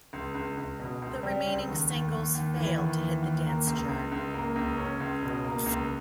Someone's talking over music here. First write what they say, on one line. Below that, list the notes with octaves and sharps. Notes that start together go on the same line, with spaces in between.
The remaining singles failed to hit the dance chart.
C#2
C#2
C#2
B2
C#2
G3
C#2
D#2
D#2
D#2
D#2
E3
D#2
E3
D#2
A#3
C#2
C#2
C#2
A#3
C#2
C#4
C#2
B2
A#3
C#2